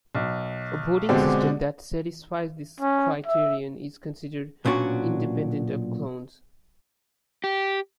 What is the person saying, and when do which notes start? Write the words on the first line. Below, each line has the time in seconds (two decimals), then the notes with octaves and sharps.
A voting system that satisfies this criterion is considered "independent of clones".
0.15 B1
1.09 B2 D3 G#3 C4 D4 G4
2.80 C#4
3.26 E5
4.65 B1 A#2 C#4 D4 F#4
7.44 G4